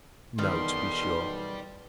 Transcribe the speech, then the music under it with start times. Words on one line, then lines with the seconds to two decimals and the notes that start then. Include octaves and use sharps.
No, to be sure!
0.39 B1 E2 B2 D#3 G4 D5 C6